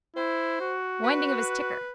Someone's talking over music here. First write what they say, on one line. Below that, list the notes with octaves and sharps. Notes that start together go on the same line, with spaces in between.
Winding of his ticker.
E4 C5
F#4
B4